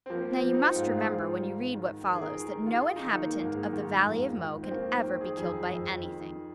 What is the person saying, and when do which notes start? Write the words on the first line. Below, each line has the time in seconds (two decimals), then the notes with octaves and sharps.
Now you must remember, when you read what follows, that no inhabitant of the Valley of Mo can ever be killed by anything.
0.06 C4
0.10 F3 A#3
0.32 C4
0.43 F3
0.54 D#4
0.76 G#2 F4
0.89 G#4
1.03 F4
1.08 G#2
1.42 D#3
1.74 D#3
2.08 D#3 A#4
2.14 G#4
2.22 A#4
2.40 D#3
2.66 F4
2.74 D#3 G#4
2.96 D#4
3.06 D#3
3.17 A#3
3.40 G#2 A#3
3.53 G#3
3.73 D#3
3.81 G#3
4.05 F2
4.38 D#3
4.63 C4
4.71 D#3 A#3
5.04 D#3
5.21 G#4
5.37 F2 G#4
5.70 F2
6.03 D#3